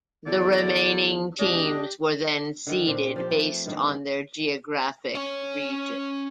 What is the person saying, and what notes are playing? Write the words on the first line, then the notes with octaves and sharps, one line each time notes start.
The remaining teams were then seeded based on their geographic region.
E2 A2 D3 D5
E1 D4 G4 D#5
D3 D#3
A#2 C4 D4
F3 C4 G4
A3 C4 F4 B4
G2 D#3 A#3
C#4 C#5